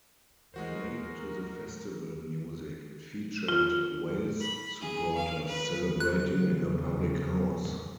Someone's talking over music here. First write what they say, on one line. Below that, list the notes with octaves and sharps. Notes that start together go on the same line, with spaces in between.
Played to the "Festival" music, it featured Wales supporters celebrating in a public house.
D#2 E3 G#3 A3 F#4 A#4 C5
F4
B5
G#4
F5
B4
E2 C#3 F3 F#6